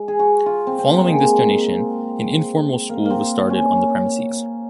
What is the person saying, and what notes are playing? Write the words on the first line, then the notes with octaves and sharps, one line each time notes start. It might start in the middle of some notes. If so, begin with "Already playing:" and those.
Following this donation an informal school was started on the premises.
Already playing: G#3
G#4
F#4
F4
C4
C4
A#3
G#3
A#3
A#3 C4
C#4